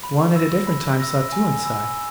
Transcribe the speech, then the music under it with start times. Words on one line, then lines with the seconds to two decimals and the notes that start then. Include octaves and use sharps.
One at a different time saw two inside.
0.04 B5
0.36 E6 A#6
0.67 B5
1.00 E6 A#6
1.32 G#5
1.66 B5 E6